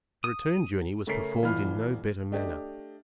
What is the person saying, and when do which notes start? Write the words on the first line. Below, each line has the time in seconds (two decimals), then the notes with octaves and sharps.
The return journey was performed in no better manner.
0.24 D#6
1.07 C#3 A3 C#4 A#4 B6 C7
1.42 D#1 E3 F4 B5 F6
2.32 A3 D4 G4 D#5